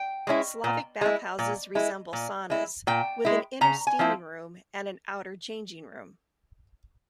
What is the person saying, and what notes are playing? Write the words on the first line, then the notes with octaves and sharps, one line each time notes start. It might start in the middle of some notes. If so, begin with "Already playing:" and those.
Slavic bathhouses resemble saunas, with an inner steaming room and an outer changing room.
Already playing: G5
G#3 C#4 E4
A#2
G#3 E4
A#2
G#3 E4
A#2
G#3 E4
A#2 G5
G#3 E4
C#3 A#5
G#5
F3 C4 E4